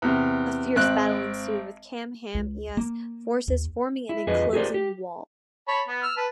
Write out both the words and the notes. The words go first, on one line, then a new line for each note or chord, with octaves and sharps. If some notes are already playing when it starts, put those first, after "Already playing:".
A fierce battle ensued, with Kamehameha's forces forming an enclosing wall.
E2 C3
G#1 C4 F#6
C#2
A#3
D#2
E4
F2 G#4 B4 D#5
G4 G#4 A#4 C5 D5
G4
C#5 A5 B5
B3
E6 F6
B4 A5